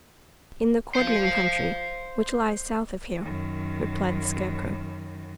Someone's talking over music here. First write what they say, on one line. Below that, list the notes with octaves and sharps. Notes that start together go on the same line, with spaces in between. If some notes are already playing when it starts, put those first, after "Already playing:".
"In the Quadling Country, which lies south of here," replied the Scarecrow.
C5 F5
F#2 D#3